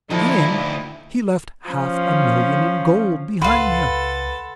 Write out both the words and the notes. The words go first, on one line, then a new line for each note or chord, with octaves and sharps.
And--he left half a million in gold behind him!
D2 D#3 F3 D#4 E4 A4
F3 C#4
C#2 A4 B4 F5 F#5 B5 C6